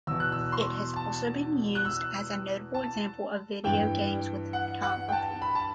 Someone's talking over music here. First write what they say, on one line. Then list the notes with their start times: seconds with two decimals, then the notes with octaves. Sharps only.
It has also been used as a notable example of video games with photography.
0.07 E2 B2 E6
0.20 F#6
0.32 E6
0.52 C6
0.96 A5
1.75 F#6
1.85 E6
2.74 A5
3.64 G2 E3 G5
4.53 F#5
4.83 F#5
5.08 G5
5.12 A5
5.42 B5
5.55 A5